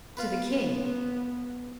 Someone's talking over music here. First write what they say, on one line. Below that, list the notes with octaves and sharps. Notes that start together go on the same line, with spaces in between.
"To the king."
B3 F4 B4